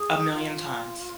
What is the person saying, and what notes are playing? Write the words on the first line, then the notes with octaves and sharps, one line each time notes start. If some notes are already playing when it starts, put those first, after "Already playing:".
A million times.
Already playing: G#4
F4